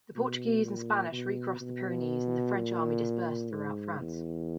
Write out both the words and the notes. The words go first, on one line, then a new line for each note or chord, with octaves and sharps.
The Portuguese and Spanish recrossed the Pyrenees and the French army dispersed throughout France.
B2
A#2
B2
B2
A#2
G#2
E2